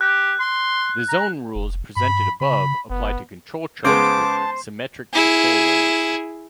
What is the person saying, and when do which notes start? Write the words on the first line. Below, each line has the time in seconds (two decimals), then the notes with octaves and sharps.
The zone rules presented above apply to control charts with symmetric control limits.
0.01 G4 F#6
0.40 C6
1.09 A#5
1.55 F1
1.96 G2 B5
2.41 C#3 B5
2.90 F#1 B3
3.85 C#3 G#3 B3 C5 A5 D6
5.13 E4 G#4